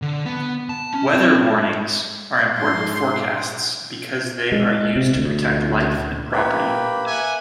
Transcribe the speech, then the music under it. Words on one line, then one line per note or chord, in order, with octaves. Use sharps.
Weather warnings are important forecasts because they are used to protect life and property.
D3
B3
A5
C#4
C4
G#2 C6
G#3
C3
D2
A#3 G4 B4 G5
E5 F#5 G#5